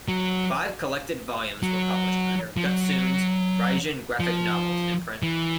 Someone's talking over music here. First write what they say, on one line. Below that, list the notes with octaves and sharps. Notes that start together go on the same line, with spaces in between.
Five collected volumes were published under Gutsoon's "Raijin Graphic Novels" imprint.
F#3
F#3
F3
F#3
F3
E3